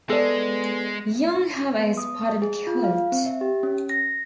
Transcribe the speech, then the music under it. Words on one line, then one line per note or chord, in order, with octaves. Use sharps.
Young have a spotted coat.
G#3 B3 A4 D5
B3
D#6
D#5
G#4
F4
F5
C4
E5
G4
C#4
A#6